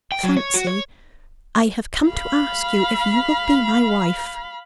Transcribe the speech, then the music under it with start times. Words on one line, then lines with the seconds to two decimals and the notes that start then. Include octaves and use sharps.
"Fancy, I have come to ask you if you will be my wife?"
0.12 G5
0.23 F#3
0.37 C#5
0.54 F#4
0.67 C#5
2.07 F5 B5